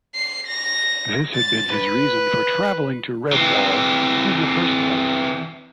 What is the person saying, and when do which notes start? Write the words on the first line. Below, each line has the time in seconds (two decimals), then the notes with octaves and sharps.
This had been his reason for travelling to Redwall in the first place.
0.15 C7
0.47 A#6
1.34 A6
1.74 B4
3.32 E3 C4